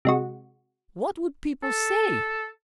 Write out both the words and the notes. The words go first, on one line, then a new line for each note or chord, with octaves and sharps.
What would people say?
C3 G#3 F#4
A4